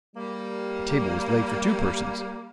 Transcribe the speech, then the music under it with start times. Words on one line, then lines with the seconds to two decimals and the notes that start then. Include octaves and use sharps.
The table was laid for two persons.
0.16 G3 A#3